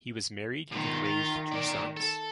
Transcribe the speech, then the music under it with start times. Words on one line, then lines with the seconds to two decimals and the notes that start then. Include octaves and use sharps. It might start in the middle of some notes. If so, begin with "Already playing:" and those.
He was married and raised two sons.
0.73 B2 D#3 F4
1.06 F4
1.52 A#4 D5
1.97 A4